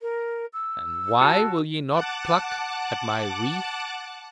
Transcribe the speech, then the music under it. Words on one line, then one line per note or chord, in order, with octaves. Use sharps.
And why will ye not pluck at my wreath?
A#4
E6
F#4 A5
F#5 A5 D6 F#6